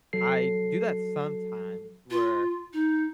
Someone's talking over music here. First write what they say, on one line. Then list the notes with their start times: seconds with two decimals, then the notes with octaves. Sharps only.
I do that sometimes where
0.13 F#3 A4 C7
2.10 F4
2.73 D#4